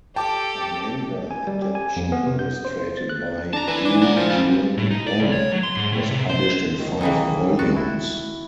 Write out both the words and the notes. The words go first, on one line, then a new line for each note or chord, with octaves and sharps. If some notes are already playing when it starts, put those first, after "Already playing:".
A manga adaptation illustrated by Yu Yuen Wong was published in five volumes.
G4 A4 G5 A5 D6
G#5
G3
G4
G#5
F2
B3
C3
G6
C5
A6
F#6
D4 A5 A#5
E3 B4
D4
A#4 F#5
A#2 F3
A#2 G3
A2
D#4
D5
C#2
C#5
F#3
C6
G#2
A2
C3
C5
C#2 D#3
B1 D#3 E3 A#3 G#4
C#2 F#4 A6
E4